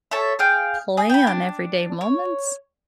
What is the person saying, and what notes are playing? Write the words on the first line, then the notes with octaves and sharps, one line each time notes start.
plan everyday moments,
A4 C#5 E5
G#4 F5 G5
G#4
G5 B5
D4
C#5